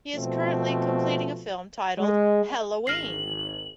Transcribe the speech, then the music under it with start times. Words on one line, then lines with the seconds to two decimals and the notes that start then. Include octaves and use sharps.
He is currently completing a film titled, "Hell-o-ween".
0.13 B2 F3 A3 C4
1.98 G#3
2.87 G#1 F6 A#6 C7 F#7